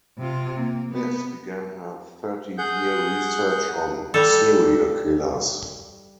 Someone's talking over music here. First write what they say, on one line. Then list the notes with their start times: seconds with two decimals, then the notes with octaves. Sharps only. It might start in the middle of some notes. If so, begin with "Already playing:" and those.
This began her thirty-year research on serial killers.
0.19 C3 F4
0.59 A#3
0.91 B3
2.58 G#4 F#5 G6
4.14 G3 A4